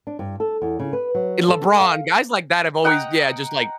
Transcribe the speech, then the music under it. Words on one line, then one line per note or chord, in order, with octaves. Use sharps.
LeBron, guys like that have always yeah, just like,
D4
G2
A4
E2
C#3
B4
F#3
A4
F5
D#5 F#5 G5 A#5